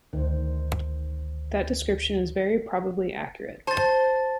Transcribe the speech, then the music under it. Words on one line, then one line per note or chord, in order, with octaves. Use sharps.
That description is very probably accurate.
D2 D#3 C5
C5 A5 A6